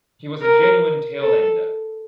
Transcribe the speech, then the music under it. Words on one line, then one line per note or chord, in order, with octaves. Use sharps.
He was a genuine tail-ender.
A#4
A4